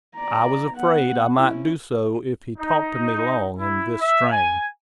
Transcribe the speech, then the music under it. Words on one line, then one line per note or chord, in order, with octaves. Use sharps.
I was afraid I might do so if he talked to me long in this strain.
D5 A#5
B3 F#5
C#4 E4
D#4
E4
E5
G#5